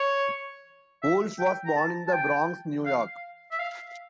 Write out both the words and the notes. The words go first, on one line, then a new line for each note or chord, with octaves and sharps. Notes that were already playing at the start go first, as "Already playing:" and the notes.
Wolf was born in the Bronx, New York.
Already playing: C#5
E5
G5
A#5
A5
A5
G5
F5
E5
F5